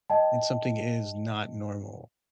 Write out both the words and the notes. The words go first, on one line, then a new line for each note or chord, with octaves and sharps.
and something is not normal,
D#5 G5 A5